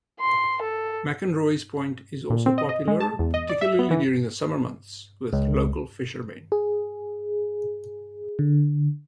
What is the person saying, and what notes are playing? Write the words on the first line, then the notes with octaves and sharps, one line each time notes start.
McInroy's Point is also popular, particularly during the summer months, with local fishermen.
C6
A4
A#2
C4
D#5
D#5
G#3
A5
E2
D#5
D5
E5
B3
E3
C#2
G#4
D3